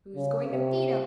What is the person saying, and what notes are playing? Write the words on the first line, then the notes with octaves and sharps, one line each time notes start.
Who's going to feed 'em?
C#3
C3